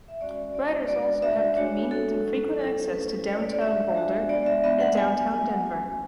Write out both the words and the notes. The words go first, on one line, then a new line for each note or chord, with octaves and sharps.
Riders also have convenient and frequent access to downtown Boulder and downtown Denver.
E5
G#3 C#4 F#4 D5
G#3 C#4 F#4 D5
G#3 D4 F#4 D5
G#3 D4 F#4 E5
G#3 D4 F#4 C#5
G#3 D4 F#4 A4
F#3 C#4 E4
F#3 C#4 E4 A4
A4
A3 C#4 E4 B4
A3 C#4 E4 C#5
D5
D5
G#3 D4 F#4 E5
G#3 D4 F#4
G#3 B3 D4 D5
E5
G#3 B3 D4 E5
F#5
F#3 B3 F#4 G#5
F#3 B3 F#4 G#5
F#5
A3 C#4 F#4 G#5